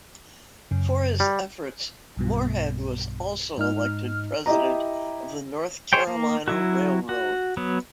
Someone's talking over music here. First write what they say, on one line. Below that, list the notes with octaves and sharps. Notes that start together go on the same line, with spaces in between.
For his efforts, Morehead was also elected president of the North Carolina Railroad.
F#2 C#3
G3
B1 G2 B2
G#2 D#4 F6
E4 G4 D#5 A#5
G#4 C5 C#5 G5
A#3
F#3 E4 F#4
F#4
F#3 B3